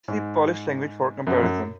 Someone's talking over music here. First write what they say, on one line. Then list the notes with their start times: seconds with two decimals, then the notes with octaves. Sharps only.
See Polish language for comparison.
0.08 G#2
1.27 F#2
1.43 F#2